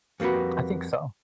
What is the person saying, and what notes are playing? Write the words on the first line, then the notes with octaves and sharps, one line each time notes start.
I think so.
F2 G3 A#3 F#4 B4